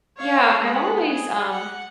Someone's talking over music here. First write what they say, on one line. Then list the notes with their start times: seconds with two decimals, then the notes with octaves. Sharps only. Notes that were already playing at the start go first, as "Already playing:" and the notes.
Yeah, I've always, um
0.17 C#5 F5
0.62 G#3 B3
1.12 G#4
1.51 F#5